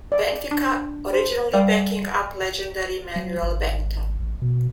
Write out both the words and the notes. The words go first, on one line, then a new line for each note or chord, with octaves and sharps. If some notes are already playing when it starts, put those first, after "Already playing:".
Benfica, originally backing up legendary Manuel Bento.
D5
D4
C5
G3 D5 F5 G5
F#3
G#1
A1
B2